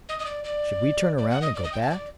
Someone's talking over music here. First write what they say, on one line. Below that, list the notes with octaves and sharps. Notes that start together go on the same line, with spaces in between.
Should we turn around and go back?
D#5
D#5
D5
D5
D5
F#5
D#5
D5
D#5
G5
A5
D5